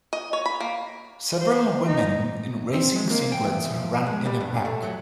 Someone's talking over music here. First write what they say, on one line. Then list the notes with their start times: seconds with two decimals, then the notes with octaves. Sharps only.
Several women in racing singlets run in a pack.
0.13 D#5
0.33 C#5
0.46 B5
0.60 A#3
1.41 C5
1.88 D#4
2.73 C4
2.95 G#3
3.10 A#3
3.32 G5
3.44 E2
3.74 F3
4.06 G#3
4.26 G3
4.40 G2
4.65 A3
4.82 F#3